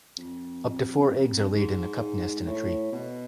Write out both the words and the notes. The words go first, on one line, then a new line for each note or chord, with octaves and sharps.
Up to four eggs are laid in a cup nest in a tree.
F2
F2
G#2
A2
B2